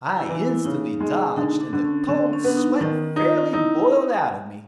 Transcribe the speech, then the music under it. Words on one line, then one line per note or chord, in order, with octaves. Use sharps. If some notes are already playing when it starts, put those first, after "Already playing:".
I instantly dodged, and the cold sweat fairly boiled out of me.
E4
E3
E4
E4
C#3 D#4
G#3
D3 D#4
D4
D3
C#4
D3 C4
C#4
B3 D4
D#4
D#3 D#4
D#4 F4
D#4 E4